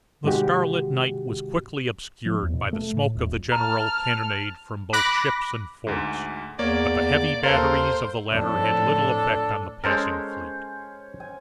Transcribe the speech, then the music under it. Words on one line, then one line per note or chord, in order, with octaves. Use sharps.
The starlit night was quickly obscured by the smoke of the general cannonade from both ships and forts; but the heavy batteries of the latter had little effect on the passing fleet.
G#2 C3 D#3 G#3 F#4 G4
F3
E2
B2
A3
A2
D#1
A5 A#5 F6
B5 D6 F#6 A#6
D2 G#2
E2 A#3 C#5 D5
D#2 A4 A#4 C5 F5
F2 A2 D4 A4
G#3 C#4 A4 A#4 C5
G#5